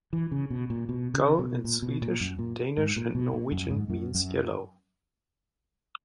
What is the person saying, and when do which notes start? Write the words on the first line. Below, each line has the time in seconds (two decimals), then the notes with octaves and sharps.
Gul in Swedish, Danish, and Norwegian means "yellow".
0.13 E3
0.32 C#3
0.50 B2
0.70 A#2
0.89 B2
1.14 C#3
1.39 B2
1.64 A#2
1.82 B2
2.02 A#2
2.20 F#2
2.39 A#2
2.78 G#2
2.96 A#2
3.15 B2
3.33 A#2
3.52 F#2
3.71 G#2
3.90 F#2
4.15 F#2